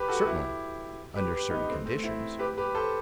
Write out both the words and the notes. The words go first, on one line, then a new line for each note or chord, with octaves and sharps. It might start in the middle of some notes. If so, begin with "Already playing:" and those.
"Certainly, under certain conditions."
Already playing: G4 B4
F#4 A4
E4 G4
G4 B4
G4 B4
B3 D#4
A3 C4
A3 C4
C4 E4
G4 B4
G4 B4
A4 C5